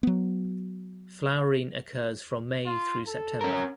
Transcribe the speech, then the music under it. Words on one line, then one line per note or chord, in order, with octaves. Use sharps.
Flowering occurs from May through September.
F#3 B3
F4
A4
C#4 A#4